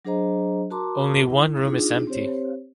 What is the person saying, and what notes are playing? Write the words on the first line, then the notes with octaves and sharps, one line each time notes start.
Only one room is empty.
F#3 D4 G#4 C5 D#5 A#5
F#4 A#4 A5 A#5 C6 D6
E4
D4 D#4 F4 G#4
C4 G4 C5 C#5